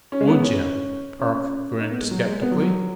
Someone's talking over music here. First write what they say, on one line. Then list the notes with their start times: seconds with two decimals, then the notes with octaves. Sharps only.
"Would yuh?" Park grinned skeptically.
0.12 C#4
0.21 G#3
0.27 B3
0.42 C#4
1.20 C#4
1.34 C#4
1.80 D#4
1.91 B3
2.01 G#3
2.11 F#3
2.26 G#3
2.42 B3
2.52 F#3
2.62 F#3